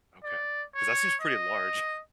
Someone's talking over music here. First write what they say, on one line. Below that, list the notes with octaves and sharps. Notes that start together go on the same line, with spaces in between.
Okay, 'cause that seems pretty large.
D5
C#5
D#5